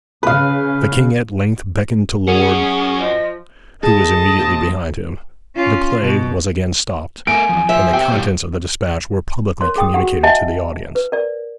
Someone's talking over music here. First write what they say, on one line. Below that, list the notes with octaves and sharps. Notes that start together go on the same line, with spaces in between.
The King at length beckoned to Lord ---, who was immediately behind him, the play was again stopped, and the contents of the despatch were publicly communicated to the audience.
C#3 B4 F5
F#2 C#4 G#4 F#5
F3 D#5
D2 G#4 D#5 A5
A#2 C4 G4
C#4 F4
B2
A3 A4 A#4 G#5 D7
E2 F3
F3 E5
G4 C5 G5
B2 G3 G4
A#4 C#5 C6
G#4 G5 D#6
F#4 G4 F#5
D#5 E5 F#5 G#5 A5
B4
A#4 D5